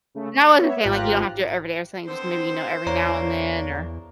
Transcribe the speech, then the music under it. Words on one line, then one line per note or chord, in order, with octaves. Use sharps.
No, I wasn't saying, like you don't have to do it every day or something, just maybe, you know, every now and then, or
C#3 A3
C#6 D6
B3 C#5 E5
G#1 F4 G4 A#5 F6 F#6
D3 B3 C4 C5
E2 A#3 D4 C#5 A#5 C#6